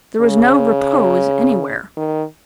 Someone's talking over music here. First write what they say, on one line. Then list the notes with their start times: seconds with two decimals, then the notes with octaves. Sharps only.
There was no repose anywhere.
0.21 C#3
1.97 D#3